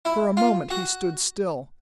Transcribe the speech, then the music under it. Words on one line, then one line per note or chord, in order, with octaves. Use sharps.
For a moment he stood still.
E4
F4
F#4